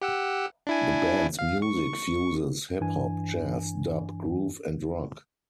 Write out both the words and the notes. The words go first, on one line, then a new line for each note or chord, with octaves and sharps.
The band's music fuses hip hop, jazz, dub, groove and rock.
G4 F#5 E6
D4 E4 G#5
F5
C#6
G2 E3 D4 G#5